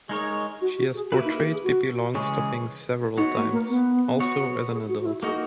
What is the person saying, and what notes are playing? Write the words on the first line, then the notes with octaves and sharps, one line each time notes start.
She has portrayed Pippi Longstocking several times, also as an adult.
G#3 D#4 G#4 A#4 C#5
F#4
F#4
G#4
A#3 E4 F#4 B4
D#4
G#4
G#4
F#4
C#3 E3 G#3 C#4 G#4
B3 D#4 F#4 C#5
A#3
A#3
B3
B3 F#4 C#5
G#4
F#4
F#4
E4
A#3 D#4 F#4 G#4